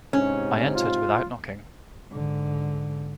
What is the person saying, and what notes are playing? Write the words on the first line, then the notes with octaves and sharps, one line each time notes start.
I entered without knocking.
G#2 C3 C#4
F4
G#2 D3